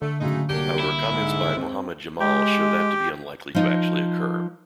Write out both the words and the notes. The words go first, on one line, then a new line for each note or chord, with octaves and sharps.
However comments by Mohammed Jamal show that to be unlikely to actually occur.
D3 A3
A2 C#3 F#3 G#3 A3 D#4
C2 F#3 A#3 D4 G4
E4
G#2
C4
G#3 G4 G5
F3 D#4